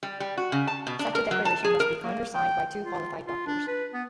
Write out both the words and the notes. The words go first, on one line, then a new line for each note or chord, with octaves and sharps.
Such a declaration must be countersigned by two qualified doctors.
G3
G3
F#4
C#3
A5
B2
D4
A#4
F#3
A5
G#4
A#4
A#3
G5
F4
F4
D4
B4
B3